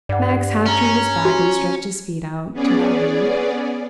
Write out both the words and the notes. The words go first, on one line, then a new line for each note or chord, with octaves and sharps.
Max half turned his back and stretched his feet out to the oven.
G2 D5 F#5
C#4 G#5 A#5
F#4
B3 C#4 G#4 D5